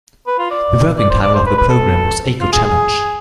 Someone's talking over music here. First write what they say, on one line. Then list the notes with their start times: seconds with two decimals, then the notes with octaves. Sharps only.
The working title of the programme was Eco-Challenge.
0.27 B4
0.39 F4
0.51 D5
0.98 D5
1.10 C5
1.22 D5
1.34 C5
1.46 B4
1.58 B4
1.69 A4
2.41 F4
2.53 G#4
2.65 G#4